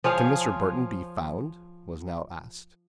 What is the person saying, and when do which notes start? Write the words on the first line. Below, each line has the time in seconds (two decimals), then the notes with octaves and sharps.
"Can Mr. Burton be found?" was now asked.
0.04 F3 G#4 C#5 F5